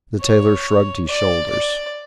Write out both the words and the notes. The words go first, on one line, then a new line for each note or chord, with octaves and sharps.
The tailor shrugged his shoulders.
C#5
D5
D5